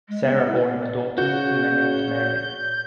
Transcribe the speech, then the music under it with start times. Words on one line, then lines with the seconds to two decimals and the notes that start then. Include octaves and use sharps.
Sarah bore him a daughter whom they named Mary.
0.09 G#3
0.23 B3
0.36 F#5
0.48 E4
0.61 B3
0.81 D5
1.18 C#3 F#4 C#5 G6